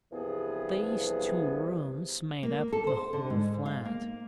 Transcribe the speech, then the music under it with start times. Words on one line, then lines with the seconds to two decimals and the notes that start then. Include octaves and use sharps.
These two rooms made up the whole flat.
0.12 C2 G2 E3 F3 B3 G#4
2.43 A#3
2.73 A4
2.87 C5
3.13 D3
3.30 G#2
3.66 F5
3.85 A#3